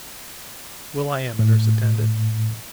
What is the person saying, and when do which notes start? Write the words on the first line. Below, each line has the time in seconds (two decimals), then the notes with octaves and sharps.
Well, I am a nurse-attendant.
1.39 A2